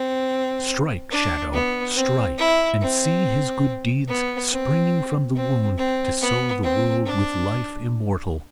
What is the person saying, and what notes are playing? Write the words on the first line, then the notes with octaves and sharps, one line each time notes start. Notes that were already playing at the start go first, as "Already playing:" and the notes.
Strike, Shadow, strike! And see his good deeds springing from the wound, to sow the world with life immortal!
Already playing: C4
D4
B3
C4
E4
C4
B3
C4
C4
C4
B3
C4
D4